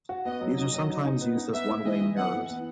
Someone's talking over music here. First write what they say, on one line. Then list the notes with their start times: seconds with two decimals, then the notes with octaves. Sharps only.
These are sometimes used as "one-way mirrors".
0.09 F#4
0.25 B3 D#5
0.41 F#3
0.57 D#4 D#5
0.74 F#3
0.89 D#4
1.05 D#4
1.21 B3
1.37 D#4
1.53 B3 E5
1.70 E4
1.86 E3 D#5
2.01 E3
2.17 B3 F#5
2.33 E3
2.49 B3